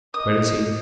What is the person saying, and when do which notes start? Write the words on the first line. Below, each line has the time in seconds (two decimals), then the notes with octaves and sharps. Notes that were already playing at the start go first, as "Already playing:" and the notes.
"Where is he?"
0.14 A#4 D#5 D#6